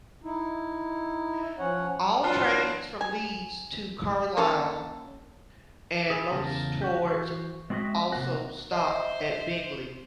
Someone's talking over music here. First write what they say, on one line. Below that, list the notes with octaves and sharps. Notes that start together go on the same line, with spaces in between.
All trains from Leeds to Carlisle and most towards also stop at Bingley.
D#4 E4
F3 C#4 C#5 F#5
E3 F#3 D4 F4
G#5
A#3 C#4 A4
G#4 A4 B4 G#5
E2 C#3 A#4 A5
F#4 G4
E3 F#4 C5
G#3 C4 F#4 A4 D#5 E5
C3 A#3 F#4
C5 D#5 E5